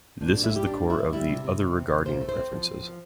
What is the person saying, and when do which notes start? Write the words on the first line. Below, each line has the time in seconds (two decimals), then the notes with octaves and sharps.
This is the core of the "other-regarding" preferences.
0.21 A#2 D4
0.33 G3 D4
0.44 E4
0.52 G3 G4
0.67 A#2 D4
0.83 G3
0.90 E4
0.98 G3
1.13 G3 E4
1.29 C3
1.44 C3
1.60 C3
1.76 C4
1.91 C3
2.05 A#2 C5
2.21 A3
2.29 C5
2.36 C4
2.51 F3
2.68 C4
2.83 F3